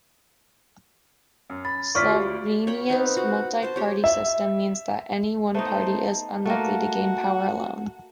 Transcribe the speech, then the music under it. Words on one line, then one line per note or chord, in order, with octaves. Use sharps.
Slovenia's multi-party system means that any one party is unlikely to gain power alone.
F#2
B5 A6
D2 F4 D5 C#6 F6 B6
F#4 G4
C#5 G5 B5
B3 C4 D#4 F5
F#4 F#5
C5 A5
G4 C#5
E5
A3 B3 D#4 C5
A3 A#3 F#4